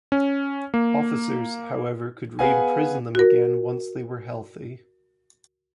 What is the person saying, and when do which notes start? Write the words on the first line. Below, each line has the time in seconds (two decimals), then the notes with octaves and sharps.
Officers, however, could re-imprison them again once they were healthy.
0.12 C#4
0.74 A#3
2.39 B3 G#4 B4 F5 F#5 G#5
3.15 F#4 A#4